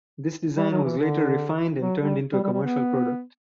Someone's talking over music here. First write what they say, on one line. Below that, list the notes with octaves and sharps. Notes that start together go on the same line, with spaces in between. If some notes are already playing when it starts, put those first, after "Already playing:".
This design was later refined and turned into a commercial product.
G3
F#3
E3
D3
F#3
G3
G3
G3
G3
B3